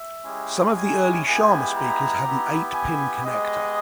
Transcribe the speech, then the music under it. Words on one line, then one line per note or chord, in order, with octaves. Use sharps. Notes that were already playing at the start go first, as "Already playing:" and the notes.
Some of the early Sharma speakers had an eight pin connector.
Already playing: E5
G#3 C#4 E4 G4
G#5
G#3 B3 E4 G4 G#5
A#5
B3 E4 G4
G#5
G#3 B3 G4 D#5